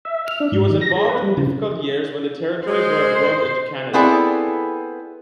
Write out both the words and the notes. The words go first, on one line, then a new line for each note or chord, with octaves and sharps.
He was involved in the difficult years when the Territories were absorbed into Canada.
E5
F6
D4
G#2
D#3
A#6
G#4
B4
G3
C#3
G#3 C5
B3 C4 E4 G#4 A4 D5